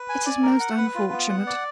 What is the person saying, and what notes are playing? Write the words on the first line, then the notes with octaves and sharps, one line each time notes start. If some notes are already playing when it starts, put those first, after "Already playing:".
'It is most unfortunate!
Already playing: B4
G#5
D5
A#4
F#5
B4
F4
B3
F#5
D5